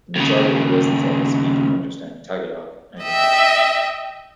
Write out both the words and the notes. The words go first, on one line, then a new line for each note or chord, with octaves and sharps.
The majority of the residents also speak and understand Tagalog and English.
D#2 C#3
D#5 E5 G5